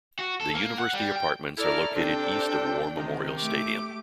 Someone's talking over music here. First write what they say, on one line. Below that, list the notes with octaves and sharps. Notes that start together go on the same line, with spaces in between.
The University Apartments are located east of War Memorial Stadium.
F#4
A4
A#3
F#5
G3
G5
E4 A4 A#4 D5 F6
C3 D4 A4 G5
C3 D#3
A3 G4 D6